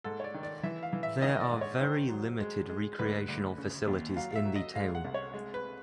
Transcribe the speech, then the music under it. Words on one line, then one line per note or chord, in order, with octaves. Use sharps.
There are very limited recreational facilities in the town.
G#2 A4
C#5
D5
D#3
D5
E3 E5
F5
E3
E5
D#3 D#5
D5
G#2
C#5
D#3 C5
F#3
G#3
G#3
D2 B4
D2
C#3
D#2
F#3 F5
F5
E5
F#3
D#5
G#3 F5
F#5
C2
C#5
G#3
B4